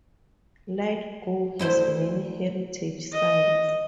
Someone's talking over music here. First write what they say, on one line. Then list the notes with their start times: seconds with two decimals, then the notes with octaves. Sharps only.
Lithgow has many heritage sites.
1.59 D2 E4 C5
3.12 D#5